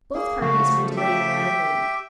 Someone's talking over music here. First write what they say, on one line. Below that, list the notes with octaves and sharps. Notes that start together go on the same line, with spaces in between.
Both parties were delayed very late.
A#3 G#4
C#3 F3 A3 F#4
G4 E5 G5